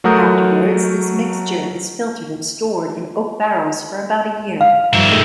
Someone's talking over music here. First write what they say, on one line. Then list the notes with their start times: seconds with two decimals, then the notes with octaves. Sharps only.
Afterwards, this mixture is filtered and stored in oak barrels for about a year.
0.04 F#3 A3 F#4 A#4 D#6 G6
4.61 F5 F6
4.93 G2 D#3 F3 G3 E5
5.11 G#3 A3 A4